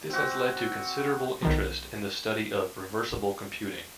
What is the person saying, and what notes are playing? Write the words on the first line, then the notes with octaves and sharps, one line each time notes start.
This has led to considerable interest in the study of reversible computing.
C4 F#4
B1 D#3 F3